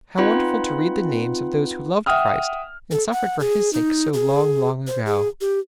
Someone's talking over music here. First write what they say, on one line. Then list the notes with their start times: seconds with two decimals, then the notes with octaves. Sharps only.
How wonderful to read the names of those who loved Christ and suffered for His sake so long, long ago!
0.18 C4 D#4 F4 B4 F#5 B5
2.06 E5 F#5 G5 D#6 F6
2.91 A4
3.12 F#5
3.40 G#4
3.73 D#4
4.13 G#4
4.87 C5
5.06 G#4
5.41 G4